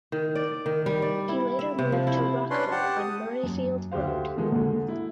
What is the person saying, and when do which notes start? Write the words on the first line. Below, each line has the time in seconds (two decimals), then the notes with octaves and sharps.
He later moved to "Rockville" on Murrayfield Road.
0.12 D#3
0.35 D5
0.66 D#3
0.86 G3
1.02 D5
1.29 E4
1.59 E5
1.79 C3
1.92 F3
2.07 E4
2.51 C#4 D4 B4 C6
2.71 G4 F#5 A5
2.98 D#6
3.43 F#2
3.92 D2 F#4 G4 C5 F5
4.37 B2 D#3 F3 G#3 A3
4.52 G#2 D3
4.88 E4